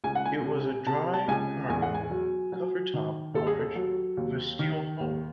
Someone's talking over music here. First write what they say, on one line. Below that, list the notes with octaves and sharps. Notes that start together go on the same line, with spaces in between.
It was a dry cargo cover-top barge with a steel hull.
C#2 G#5
F#5
G#5
C3
C3 A5
A5
C#2 G#5
E2 G#5
F#5
G#5
F#3
F#3
D#3
D#2 A4
G#4
A4
F#3
D#2
D#3
D#2